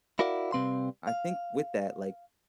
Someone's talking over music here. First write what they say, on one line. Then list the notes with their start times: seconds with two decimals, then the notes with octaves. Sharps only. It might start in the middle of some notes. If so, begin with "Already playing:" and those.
I think with that, like,
0.19 E4 F#4 A#4 D5 F5 F#5
0.52 C3 G3 C4 B4 F5 C6
1.07 F5